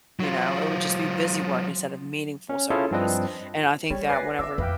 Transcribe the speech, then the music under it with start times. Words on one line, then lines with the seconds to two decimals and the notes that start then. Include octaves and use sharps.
you know? It would just be busy work instead of meaningful service, and I think that whenever
0.20 F#3 F4
2.49 C#4
2.70 C#4 E4 F4 G#4 A4
2.91 G2 F3 C4 D4 B4 D#5
3.90 G3 E4 C#5
4.09 B4 D5 G#5 A#6 C7
4.39 C4 E5 D6 E6
4.58 F2 B4 F5 G5